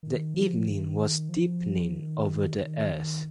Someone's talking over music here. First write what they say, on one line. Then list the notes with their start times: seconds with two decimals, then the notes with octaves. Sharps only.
The evening was deepening over the earth.
0.03 D#3
0.34 F3
0.66 D#3
1.29 F3
1.93 D#3
2.56 D#3